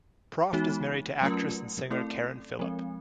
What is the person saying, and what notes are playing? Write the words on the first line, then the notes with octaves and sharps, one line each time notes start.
Proft is married to actress and singer Karen Philipp.
E3 G#3 B3 D#4 F#4
F#3 A3 C#4 F4 A#4
A3 C4 E4 A4 D5
F3 G#3 C4